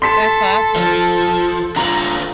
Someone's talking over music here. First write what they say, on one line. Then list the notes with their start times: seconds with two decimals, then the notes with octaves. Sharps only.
That's awesome.
0.02 A4 C6 B6 E7
0.76 F3
1.76 D3 F4 A#5 F#7